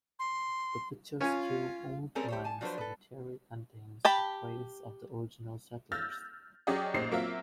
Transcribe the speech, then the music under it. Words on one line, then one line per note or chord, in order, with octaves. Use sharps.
The picturesque Old Lyme Cemetery contains the graves of the original settlers.
C6
C#4 F4 G#5
G3 A3 C4 C#4 G#4 A#4
G4 C5 C#5
G#5 A5
F3 F#3 D4 G#4 B4 C5
A4 B4
G4 A5 B5
E6 F6 G6 A6 A#6
F#3 C#4 G4 G#4 D5 D#5
A1 A#2 D#4 C5 C7
F#3 A#3 C4 F4 E5